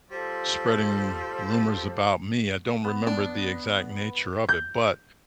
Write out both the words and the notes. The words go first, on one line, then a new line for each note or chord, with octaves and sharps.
spreading rumors about me, I don't remember the exact nature of it, but,
G3 F4 A4 C5
B3
D4
G6